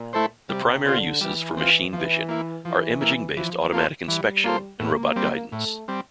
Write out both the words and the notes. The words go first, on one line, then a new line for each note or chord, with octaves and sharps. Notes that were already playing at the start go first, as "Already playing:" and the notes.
The primary uses for machine vision are imaging-based automatic inspection and robot guidance.
Already playing: A#2
A3 E4 A4 C5
C3 G3
D3 C4 F4
E3 G3
C4 F4
E3 F3
A#3 E4
E3 F3
A#3 E4
E3 F3
A#3 F4 A4 C5
E3 G3
A#3 F4 A4 C5
A2 A#3
G3 C4
A2 A3
G3 C4